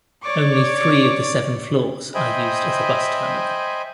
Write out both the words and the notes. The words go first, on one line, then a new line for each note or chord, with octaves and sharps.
Only three of the seven floors are used as a bus terminal.
C#5 D5 C#6 D6
C5 D#5 E5 G5 G#5 B5